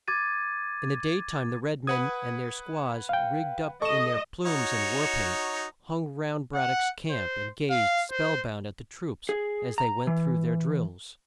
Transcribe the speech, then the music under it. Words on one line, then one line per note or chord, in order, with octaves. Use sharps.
In the day time the red-men and their squaws, rigged up in their plumes and war paint, hung round Brad-dock's camp, and gazed spell-bound at the troops as they went through their drills.
D6 G#6 A6 D#7
B4 F#5 D#6 G#6
F5 G5
A4 D#5 C#6 E7
D#4 F#4 C#5
F#5
C5
F5
C5
G#4
A#5
E3